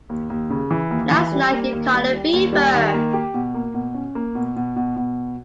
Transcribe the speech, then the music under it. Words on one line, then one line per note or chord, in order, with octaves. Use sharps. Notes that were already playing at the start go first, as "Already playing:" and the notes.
Last night you caught a fever.
D#2
D#2
C#3
E3
D#2
E3
G3
A#3
D#2
G3
G3
D#2
G3
D#3
A#3
G4
B2
A#3
B2
C#4
A#3
B2
B2
B2
B2